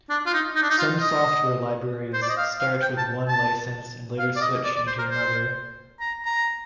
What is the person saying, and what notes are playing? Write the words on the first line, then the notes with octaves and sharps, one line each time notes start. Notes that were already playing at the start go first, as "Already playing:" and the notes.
Some software libraries start with one license and later switch into another.
D4
F4
D#4
D#4
D4
D#4
F4
D#5
C5
D5
D#5
F5
F5
G5
A5
A5
F5
D5
D#5
D5
D5
C5
A#4
C5
A#5
A#5